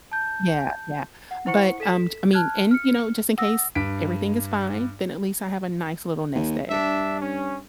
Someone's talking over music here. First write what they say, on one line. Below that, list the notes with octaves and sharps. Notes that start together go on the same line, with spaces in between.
Yeah, yeah. But, um, t I mean, and, you know, just in case everything is fine, then at least I have a nice little nest egg.
A5 G6
F#5
E4 C5 F#5 C#6 C#7
A4 B6 E7
A5 F6 F#6 G#6
F6 C#7
F#5 D#6 E6 A#6
G2 B6 D7
D#2
G2 D4 E5
C#4